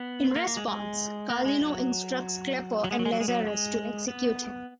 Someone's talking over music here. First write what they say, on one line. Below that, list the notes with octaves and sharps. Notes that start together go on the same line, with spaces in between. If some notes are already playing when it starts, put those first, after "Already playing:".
In response, Carlino instructs Klepper and Lazarus to execute him.
Already playing: B3
A#3
A#3
G#3
G#3
A#3
G#3
F#3
F#3
G#3
F#3
G#3
F#3
G#3
F#3
G#3
B3